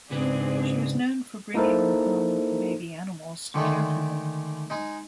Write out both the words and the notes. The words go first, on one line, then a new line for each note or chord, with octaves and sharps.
She was known for bringing home baby animals to care for them.
G#2 C#3 B3 C4 D4 G#4
A#3 D#4 E4 A4 A#4 C5
D3 D#3 G#3 A3
G#3 D#4